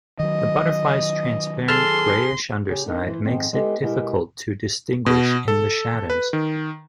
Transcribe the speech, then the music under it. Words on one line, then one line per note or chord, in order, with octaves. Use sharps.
The butterflies transparent greyish underside makes it difficult to distinguish in the shadows.
D#3 F#3 D#5
G#4 A4 A5 C6 F6
C#3 G4
D4 D#4 A#4 D#5
E3 E4 C5
F2 G#2 D#3 C4
G#3 B3 D#4 G4 A4
B2 G#3 E4 G4 A#4
B2
A4
B4
D#3